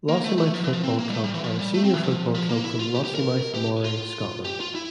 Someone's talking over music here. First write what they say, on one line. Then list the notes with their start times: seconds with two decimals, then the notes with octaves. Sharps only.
Lossiemouth Football Club are a senior football club from Lossiemouth, Moray, Scotland.
0.09 A#3
0.24 A3
0.38 A3
0.54 F3
0.64 E3
0.73 F3
0.84 C4
0.99 A#3
1.08 G3
1.13 A3
1.24 G3
1.34 E3
1.44 F3
1.59 G3
1.74 A3
1.84 C4
1.94 E3
2.03 F3
2.35 F3
2.49 A#3
2.64 E4
2.79 F4
2.95 G4
3.05 G4
3.15 A#4
3.54 G4
3.85 F4
4.45 G4
4.60 F4
4.75 E4